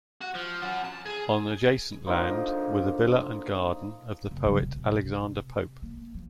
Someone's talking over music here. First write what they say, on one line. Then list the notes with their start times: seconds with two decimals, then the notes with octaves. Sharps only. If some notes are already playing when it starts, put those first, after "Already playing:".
On adjacent land were the villa and garden of the poet Alexander Pope.
0.21 F#4
0.34 F3
0.62 C#4 F#4
0.84 A5
1.06 G#4
2.06 D3 F3 A#3 D#4
4.31 F#1
4.46 C#3 F#3
4.63 B2
5.04 C3
5.82 A#3
6.15 F3